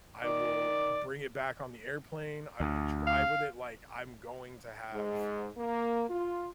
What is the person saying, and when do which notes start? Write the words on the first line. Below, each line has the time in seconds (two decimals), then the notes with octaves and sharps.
I will bring it back on the airplane, I will drive with it, like, I'm going to have
0.21 D#3 D5
2.60 D2
3.07 F5
4.93 G#2
5.57 A#3
6.09 F4